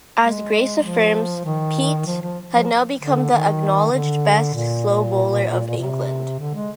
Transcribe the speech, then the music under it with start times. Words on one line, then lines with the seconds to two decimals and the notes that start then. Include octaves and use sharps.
As Grace affirms, "Peate... had now become the acknowledged best slow bowler of England".
0.21 G#3
0.83 F3
1.45 D#3
2.06 F3
2.22 F3
2.53 F3
2.99 D3
3.30 D#3
3.92 D3
4.54 A#2
5.77 C3
6.39 D3
6.54 G#3